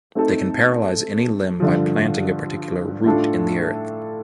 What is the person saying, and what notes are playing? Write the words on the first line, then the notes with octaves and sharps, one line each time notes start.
They can paralyze any limb by planting a particular root in the earth.
A3 C4 D#4 A4
G2 D3 F3
A2 A3 D4 F4 A4